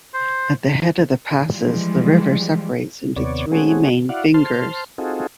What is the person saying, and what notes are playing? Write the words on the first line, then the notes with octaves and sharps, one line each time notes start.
At the Head of Passes, the river separates into three main fingers.
C5
E3 F3 G3 G#3
D#2 C3 B3 C#5 D5
G#3 A3 C4 C#4 F#4 G#4
E4 F#4 D5 F5 F#5
C5 A5 C6 F6
C4 D#4 F4 F#4 G#4 A4